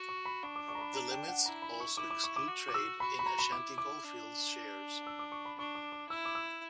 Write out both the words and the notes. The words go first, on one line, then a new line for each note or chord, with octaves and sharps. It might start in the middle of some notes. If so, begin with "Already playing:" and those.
The limits also exclude trade in Ashanti Goldfields shares.
Already playing: F#4
C#6
B5
D4 C#6
D6
C#6
A#5
B5
A#5
G5
F#5
E4 A#5
B5
C#6
E4 D6
D6
C#6
D6
F#4
D6
E6
F#4 B5
B5
A#5
B5
E4 D6
D6
D4
E6
D6
C#6
B5
D4 C#6
D6
D6
E4 E6
D6
E6